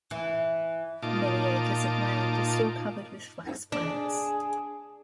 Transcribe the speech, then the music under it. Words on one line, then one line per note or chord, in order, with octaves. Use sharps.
Many acres of land are still covered with flax plants.
E3
A#2 D#4 F4 A5 D6
D4 G#4